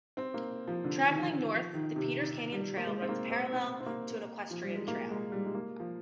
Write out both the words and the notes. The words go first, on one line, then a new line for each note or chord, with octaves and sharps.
Traveling North the Peters Canyon trail runs parallel to an equestrian trail.
C4
A#3
F3
D3
D#3
F3
F3
D#3
C3
D#3
G3
A#3
G#3
C4
A#3
C4
C4
C4
A#3
F3
G3
G#3
A#3
G#3
G3
G#3
A#3
F3